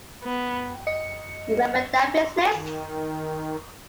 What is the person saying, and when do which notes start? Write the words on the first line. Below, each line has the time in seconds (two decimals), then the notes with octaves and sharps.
You remember that business?
0.23 B3
0.87 D#5 C#7
2.49 D#3